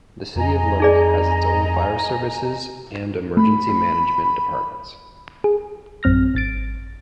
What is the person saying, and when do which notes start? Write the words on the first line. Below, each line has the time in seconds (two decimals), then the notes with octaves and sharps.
The City of Leduc has its own fire services and emergency management departments.
0.36 F2 D#5 G#5 A#5
0.80 D#4 G#4 D5
3.37 A3 B5
5.44 G#4
6.03 A1 F#2 C4 F6 A#6
6.35 G#1 A6 D7